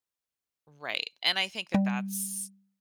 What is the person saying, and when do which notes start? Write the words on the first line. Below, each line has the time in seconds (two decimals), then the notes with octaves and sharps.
Right, and I think that that's
1.74 G3